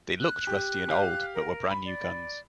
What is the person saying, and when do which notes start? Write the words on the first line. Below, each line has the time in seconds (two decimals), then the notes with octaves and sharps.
They looked rusty and old, but were brand new guns.
0.21 F#6
0.47 G4
0.88 G4 F5
1.35 A#4
1.71 B5
1.85 D5